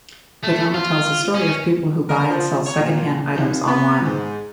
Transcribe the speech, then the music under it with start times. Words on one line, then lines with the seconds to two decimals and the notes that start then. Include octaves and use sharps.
The drama tells the story of people who buy and sell secondhand items online.
0.44 A3
0.74 F4
1.34 C#4
2.09 A#4
2.30 F3
2.67 C#5
2.78 A#2
3.34 D#2
3.68 B3
4.05 G#2